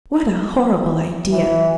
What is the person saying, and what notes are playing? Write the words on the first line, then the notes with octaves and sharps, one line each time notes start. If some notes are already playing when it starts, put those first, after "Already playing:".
What a horrible idea!
E3